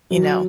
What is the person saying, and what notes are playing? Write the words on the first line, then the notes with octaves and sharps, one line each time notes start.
you know,
F#3